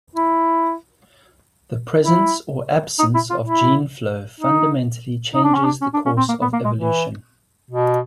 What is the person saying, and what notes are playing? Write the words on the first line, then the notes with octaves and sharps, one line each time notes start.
The presence or absence of gene flow fundamentally changes the course of evolution.
E4
E4
D#4
E4
F4
E4
D#4
D#4
D4
C#4
D4
C#4
D4
C#4
C4
A#3
B3
A#3
G#3
E3
B2